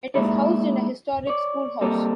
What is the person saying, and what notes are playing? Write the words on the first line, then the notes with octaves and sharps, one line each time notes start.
It is housed in a historic schoolhouse.
G#3 A#3 D#4 E4 G#4 D5
C#5 D5
G3 A#3 C4 A4 D#5